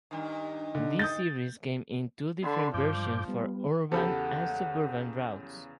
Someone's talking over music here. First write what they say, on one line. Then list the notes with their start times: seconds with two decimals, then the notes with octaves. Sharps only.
This series came in two different versions for urban and suburban routes.
0.11 G2 D#3
0.75 D3
0.99 D#6 G6 A6
2.42 D3 B5 C6
2.74 G2 F3 D6 G6
3.28 G3 B3
3.92 E2 C#3 G4 A4 F#5 B5